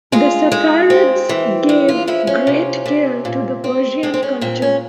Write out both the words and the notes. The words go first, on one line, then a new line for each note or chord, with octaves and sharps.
The Saffarids gave great care to the Persian culture.
G#3 F4
G#3
C4
E3
G#3
F4
F3 E4
C#4
C3
C3
A#2
C4
G#3 C4
C4
C#4
A#2 C4
C#4